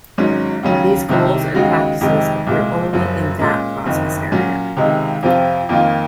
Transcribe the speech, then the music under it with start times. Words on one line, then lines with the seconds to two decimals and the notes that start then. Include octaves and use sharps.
These goals and practices appear only in that process area.
0.18 G#1 G#2 F#3 C#4
0.63 D#2 C#3 F#3 C#4
1.09 C2 C3 D#3
1.55 D#2 C#3 G#3 D#4 F#4
2.01 F2 C3 D#3 G#3
2.47 C2 A#2 G#3
2.93 F#1 F#2 F3
3.39 A#2 G#3 C#4
3.85 F#1 F2 D#3
4.32 A#2 F#3 C#4 F#4
4.77 C#2 C3 D#3 G#3
5.23 F2 C3 F3 C4 F4
5.69 F2 D#3 A#3 F4